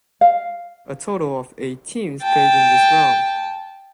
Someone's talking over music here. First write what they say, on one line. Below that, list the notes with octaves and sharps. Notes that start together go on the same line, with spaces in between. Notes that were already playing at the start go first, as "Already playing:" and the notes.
A total of eight teams played in this round.
F5
G5 A5